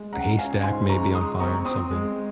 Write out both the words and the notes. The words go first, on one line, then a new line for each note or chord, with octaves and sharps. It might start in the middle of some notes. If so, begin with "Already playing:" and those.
A haystack may be on fire or something.
Already playing: G#3
C#4 F#5 A#5
C#4 F5 G#5
G#2 G#5 C6
C#3 A#5 C#6
G#3 C6 D#6
C4 A#5 C#6
C4 C6 D#6
G#3